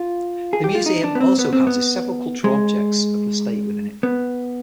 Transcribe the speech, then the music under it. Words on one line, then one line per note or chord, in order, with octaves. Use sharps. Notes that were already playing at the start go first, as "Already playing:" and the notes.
The museum also houses several cultural objects of the state within it.
Already playing: F4
G#4
G4
F4
D#4
D4
B3
C4
B3
C4
B3
G#3
B3